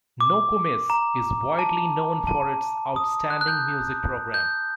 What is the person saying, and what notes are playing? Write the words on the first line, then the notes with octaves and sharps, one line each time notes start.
Nokomis is widely known for its outstanding music program.
D6
A#5
A5
A5
D#6
F#6
F#6
G6
G6